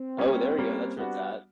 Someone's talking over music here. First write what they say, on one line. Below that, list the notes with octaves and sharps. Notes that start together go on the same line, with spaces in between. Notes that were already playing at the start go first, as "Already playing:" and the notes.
Oh, there you go, that's where it's at.
Already playing: C4
G3 A#3 C#4
G3 A#3 C#4
G3 B3 D4 F#4